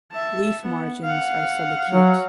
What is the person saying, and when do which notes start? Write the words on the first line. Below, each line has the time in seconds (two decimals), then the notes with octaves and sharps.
Leaf margins are subacute.
0.11 E5 A5
0.63 B3
1.04 F5 F#5
1.89 F#3